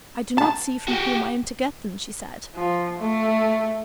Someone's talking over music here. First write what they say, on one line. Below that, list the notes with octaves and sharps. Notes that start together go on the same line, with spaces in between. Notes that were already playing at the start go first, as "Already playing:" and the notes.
"I do not see from whom I am to get them," she said.
A5
F#4 G4
F3
A3